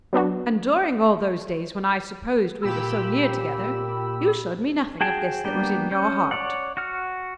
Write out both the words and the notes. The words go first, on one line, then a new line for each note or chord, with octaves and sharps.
"And during all those days when I supposed we were so near together--you showed me nothing of this that was in your heart."
F#3 B3 D4 F#4
A#2 G4 B5 E6
F#4 G#4 G5 A5
G3 A#3 B3 D4 G5
C#4 G6
C#5 D5 F#5
F#4 F#5 F6